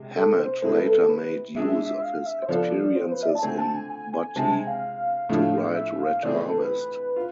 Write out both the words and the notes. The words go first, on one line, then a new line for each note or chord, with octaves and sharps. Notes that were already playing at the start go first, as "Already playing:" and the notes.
Hammett later made use of his experiences in Butte to write Red Harvest.
Already playing: C3 G#3
A4
C5
G#3 C4 E4 G#4 A4
B4
A4
B4
G#3 D4 G#4 E5
E5
F5
E5
C5
F3 B3 F4 A4 D5
C5
B4
E5
D5
A5
D3 A3 C4 G#5
A5
G#5
G#5
G#5
C3 G#3 C4 A5
G#5
F5
A2 F3 A3 D4
E5
F5
E3 A3 C4 G#4 D5
B4
A4
B4
F4